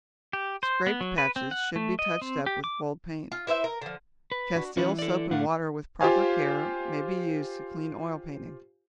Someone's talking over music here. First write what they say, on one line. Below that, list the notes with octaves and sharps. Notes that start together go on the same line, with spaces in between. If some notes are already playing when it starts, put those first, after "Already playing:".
Scraped patches should be touched up with gold paint. Castile soap and water, with proper care, may be used to clean oil paintings.
G4
C5
B3
F#3
B4
C4
F#5
A3
D#5
C4
G4
D6
F4
E4 B4 C5 E5
A#4
D3 F3
B4
D4 F#4
E3 C#4 F4 B4
A4 D5
A2 A3 D4 F5 F#5
F4 G4 C5 F5 G#5